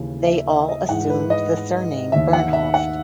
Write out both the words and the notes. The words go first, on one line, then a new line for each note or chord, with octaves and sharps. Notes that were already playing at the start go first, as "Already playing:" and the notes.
They all assumed the surname Bernhoft.
Already playing: D#2 C#3 E3
E5
E5
D#5
G#2 E3 F#5
B4
D#5
D#2 D#3 E5
F#5
E5
F#5